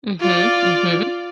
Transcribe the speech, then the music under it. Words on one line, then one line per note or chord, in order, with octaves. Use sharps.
Mhm, mhm.
F4 D5